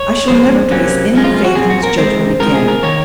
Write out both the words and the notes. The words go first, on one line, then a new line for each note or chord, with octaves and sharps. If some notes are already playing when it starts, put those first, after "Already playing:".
I shall never place any faith in his judgment again.
Already playing: C#5
G#2 F3 G#3 C5
C3 F#3 A#3 C#4
F#2 F3 G#3
F4
F4
F#4
A#2 F3 C4 G#4
F#4
A#4
C3 D#3 G#3 C4 D#4 C5
C3 F3 G#3 C4 A#4
G#4
A#4
D#3 A#3 C#5